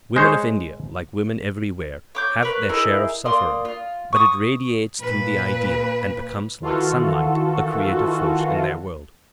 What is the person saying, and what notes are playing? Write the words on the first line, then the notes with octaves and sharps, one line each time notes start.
Women of India, like women everywhere, have their share of suffering, but it radiates through the ideal, and becomes, like sunlight, a creative force in their world.
G#3 C5 C#5
C#5 D6 G6
A#4 B4 C#5
D#4 E4 G#4 A#4
A#3 D5 C6 D#6
F4
C#6 D#6
A#2 B4
D#3 E3 F4 F#4 A4